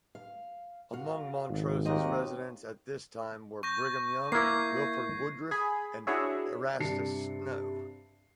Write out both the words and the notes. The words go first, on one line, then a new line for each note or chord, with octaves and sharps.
Among Montrose's residents at this time were Brigham Young, Wilford Woodruff and Erastus Snow.
F5
F#4 F5
G#1
D#2 C4 D#5
C#6 G6 A#6
A#3 E4 G#6 C7
G#4 G#5 B5
D4 E4 F#4 G#4 C#5 E5
G2 C3 D4 C7 C#7